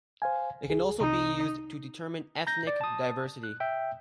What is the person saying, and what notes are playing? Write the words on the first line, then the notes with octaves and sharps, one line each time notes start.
It can also be used to determine ethnic diversity.
C5 F5 G#5
C#2 G#4
C2 C3 D#4 A#5
A#5 G6 A#6
D5
A5 D#6
F#6
E5 G5